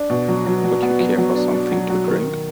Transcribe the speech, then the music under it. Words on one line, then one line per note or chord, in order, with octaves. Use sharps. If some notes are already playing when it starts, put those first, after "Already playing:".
Would you care for something to drink?
Already playing: D4
B2
F#3
F#3
F#3
B3
F#3
F#3
D4
D4
F#3
F#3
D#3